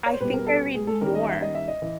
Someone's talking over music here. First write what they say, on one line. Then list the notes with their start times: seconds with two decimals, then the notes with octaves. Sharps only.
I think I read more.
0.06 C#5
0.13 C5
0.20 B2 G3 B3 B4
0.34 A#4
0.47 A4
0.75 G#4
0.87 A4
1.01 D#3 G3 A#3 C#4 A#4
1.15 D#5
1.29 E5
1.42 D#5
1.55 E5
1.68 D#5
1.82 E3